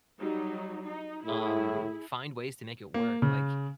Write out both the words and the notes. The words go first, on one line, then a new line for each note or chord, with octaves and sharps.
Um, find ways to make it work, like
F#3 G3 D#4
D#4
A2 E4 G#4
A#3
C#3